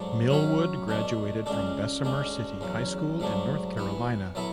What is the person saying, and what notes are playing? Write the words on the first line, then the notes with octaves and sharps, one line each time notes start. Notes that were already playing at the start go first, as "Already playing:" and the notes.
Millwood graduated from Bessemer City High School in North Carolina.
Already playing: G#2 F#3 A3 D4 A4
F#3 C#4 F#4 C#5 E5
B2 A3 D4
C#2 C#3 G#3 D4 A4
D2 C#3 G#3 D4
E2 C#3 F#3
G#2 F#3 A3 D4
E3 B3 E4
F#3 B3 E4 A4 E5